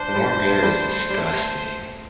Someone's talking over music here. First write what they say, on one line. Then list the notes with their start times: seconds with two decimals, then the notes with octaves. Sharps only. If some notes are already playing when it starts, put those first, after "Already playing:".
Warm beer is disgusting.
Already playing: D4 C5
0.15 G3
0.39 A3
0.62 G3
1.10 G3
1.17 A3